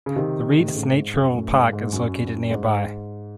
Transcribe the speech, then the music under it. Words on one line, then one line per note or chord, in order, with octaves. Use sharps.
The Redes Natural Park is located nearby.
C#3
C3 D#3
A2
C3
A2 C#3
G#2
F#2
F#2 A2
G#2
G#2
F#2
G#2